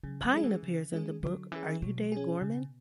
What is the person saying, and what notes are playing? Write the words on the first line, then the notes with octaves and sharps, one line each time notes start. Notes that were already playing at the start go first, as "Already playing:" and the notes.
Pine appears in the book Are You Dave Gorman?
C#3 F#3
F#3
G#3 C#4 G#4
E3
C#3
G#3 C#4 G#4
D3 F#3
E3 C#4 G#4
B2 F#3
C#4 G#4
C#3